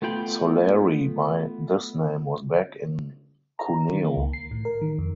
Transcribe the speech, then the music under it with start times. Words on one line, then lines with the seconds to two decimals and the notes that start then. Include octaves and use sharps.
Soleri by this time was back in Cuneo.
0.02 A3 B3 F4 G5 B5
3.59 A#5
3.93 D#3
4.05 A#3
4.17 C#2
4.33 C7
4.51 A2
4.65 A#4
4.82 D#3
4.99 F2